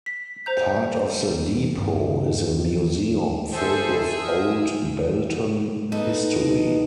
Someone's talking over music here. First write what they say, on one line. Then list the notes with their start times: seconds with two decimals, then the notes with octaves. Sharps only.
Part of the depot is a museum filled with old Belton history.
0.06 B6
0.46 C5 A#5 G6
1.78 G2 D#3
3.53 G#4 A4 C5 E5
4.21 A#4 D#6
5.92 B3 D#4 A4